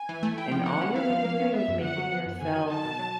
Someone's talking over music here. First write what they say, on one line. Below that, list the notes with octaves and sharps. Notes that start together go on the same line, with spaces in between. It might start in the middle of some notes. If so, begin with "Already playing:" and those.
and all you're really doing is making yourself
Already playing: G#5
E3
A3
E4 G5
F3
A#3 F#5
C#4
E4 F5
F3
A#3
C#4
B3 E5
F#2
D3 F#5
F#3
B3
F#2
D3 G#5
F#3
D#4 A5
B2
F#3